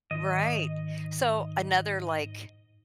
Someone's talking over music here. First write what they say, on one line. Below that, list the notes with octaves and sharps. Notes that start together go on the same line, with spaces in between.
Right. So, another, like,
G#2 D#3 D#5